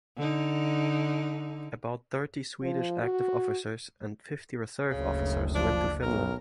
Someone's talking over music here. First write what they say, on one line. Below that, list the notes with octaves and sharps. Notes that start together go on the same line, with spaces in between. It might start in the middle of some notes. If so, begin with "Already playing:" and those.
About thirty Swedish active officers and fifty reserve officers went to Finland.
D3 D#4
F3
F#4
F#1 D2 C#3
F3 D4
B1 A#4